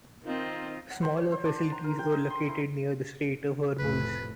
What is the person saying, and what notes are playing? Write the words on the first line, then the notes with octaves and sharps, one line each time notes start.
Smaller facilities were located near the Strait of Hormuz.
D#3 C4 D#4 F4
F#5
C5
C#5
C5
D4
A5
A#5
A#4
G5
D#5
C6
E4
F1 A2 B4